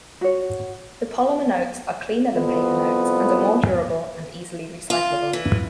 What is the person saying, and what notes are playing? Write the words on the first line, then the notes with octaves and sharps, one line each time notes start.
The polymer notes are cleaner than paper notes, are more durable and easily recyclable.
F#4 C#5
C2 F2 B3
F4
E3